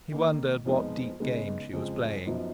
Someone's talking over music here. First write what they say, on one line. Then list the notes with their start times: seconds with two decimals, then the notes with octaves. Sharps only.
He wondered what deep game she was playing.
0.12 D#3 A#3 D#4
0.65 F2 F3 G#3 B3 D#4
1.20 C#3 G#3 B3 D#4
1.73 F2 C#3 G#3
2.25 F#2 F3 B3 D#4